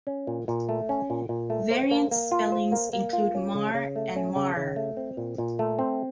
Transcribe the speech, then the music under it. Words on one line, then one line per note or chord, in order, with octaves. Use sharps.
Variant spellings include Mar and Marre.
C#4
A#2
A#2
A3
C#4
A#2
A#2
A3
C5
A#3
A#3
F4
C5
A#3
A#3
F4
C#4
C#3
C#3
A3
C#4
C#3
C#3
A3
C4
A#2
A#2
A3
C4